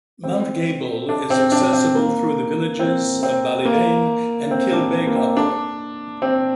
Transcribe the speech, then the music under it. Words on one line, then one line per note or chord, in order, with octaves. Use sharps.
Mount Gable is accessible through the villages of Ballyveane and Kilbeg Upper.
C4
D4
C4
D4
C4
A#3
C4
C4
A#3
C4
D4
A#3
C4
D4
C4